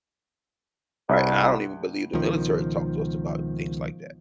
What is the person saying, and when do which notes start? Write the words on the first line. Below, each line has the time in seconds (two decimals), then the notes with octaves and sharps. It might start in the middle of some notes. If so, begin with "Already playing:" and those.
right? And I don't even believe the military talked to us about things like that
1.09 C2
2.13 C#2 B2 D#3 F3